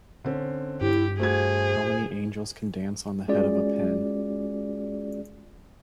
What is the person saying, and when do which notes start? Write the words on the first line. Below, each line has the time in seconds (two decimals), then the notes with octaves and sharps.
How many angels can dance on the head of a pin?
0.24 D3 C4 C#4
0.81 G2 E4 G4
1.19 A3 F#4 G#4 C5 G#6
3.28 G#3 C#4 F4 F#4 G#4 D5